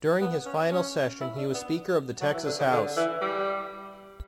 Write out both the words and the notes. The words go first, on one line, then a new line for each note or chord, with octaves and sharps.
During his final session, he was Speaker of the Texas House.
B3
C#4
C#4
E4
D4
B3
F#3
E3
D3
C#3
D3
E3
G3